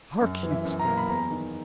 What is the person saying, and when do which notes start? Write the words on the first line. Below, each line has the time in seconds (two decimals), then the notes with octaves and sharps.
"Hark!" he exclaimed.
0.21 F#2
0.43 E3
0.51 E5
0.65 F#2
0.79 A#5
0.87 A#3
0.97 B5
1.09 E2 A#5
1.31 D#3